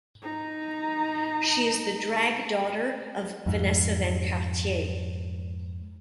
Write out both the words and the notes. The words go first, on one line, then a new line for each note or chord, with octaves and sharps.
She is the drag daughter of Vanessa Van Cartier.
D#4 A#5
F2 G#2